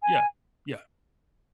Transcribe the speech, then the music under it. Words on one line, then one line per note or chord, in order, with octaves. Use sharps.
yeah, yeah.
G#5